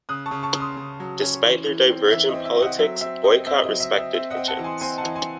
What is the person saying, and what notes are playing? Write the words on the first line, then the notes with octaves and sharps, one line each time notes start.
Despite their divergent politics, Boycott respected Hitchens.
C#3 D#6 F#6
A5 C#6
C#3
A5 C#6
C#3
C6 D#6
C#3
F#3
C#4
E3
E3
C4
E3 E5
D#5
C4
E5
C4
D#5 F#5
F#3 E5
C4 E5
C4 D#5
C4 E5
F#3 D#5
E5
C4
E5
C4 E5
D#5 F#5
C4
F#5 A5
E3
G#5 C6
C4 G#5 C6
F#5 A5
E3
G#5 C6